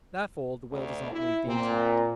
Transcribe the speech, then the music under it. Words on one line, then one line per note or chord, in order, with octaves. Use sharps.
Therefore the will does not move the intellect.
D2
E4
A#2 C4